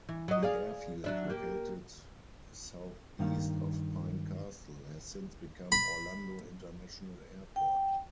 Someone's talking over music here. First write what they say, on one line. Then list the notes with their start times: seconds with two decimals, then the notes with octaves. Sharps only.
The airfield, located southeast of Pine Castle, has since become Orlando International Airport.
0.09 E3
0.28 F#3 D#5
0.43 G#4 D5 F5
1.04 F#3 D4 E5
1.30 A#3 G4
3.19 G2 D#3 A#3 F5
5.72 B5
7.56 G5